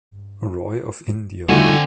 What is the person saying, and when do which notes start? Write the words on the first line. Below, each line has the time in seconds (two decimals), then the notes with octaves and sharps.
Roy of India.
1.49 D3 G3 A3 C4 D#4 F4 F#4 G#5